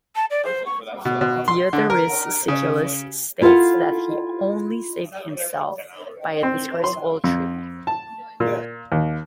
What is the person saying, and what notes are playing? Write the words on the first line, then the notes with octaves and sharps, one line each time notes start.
Diodorus Siculus states that he only saved himself by a disgraceful treaty.
A5
D5
C5
C#6
B2
B2
C6
D3
A#4
C#3
E4 F4 A4 C5 F5 F#5
C4
C6
F2
A5
A#2
D#2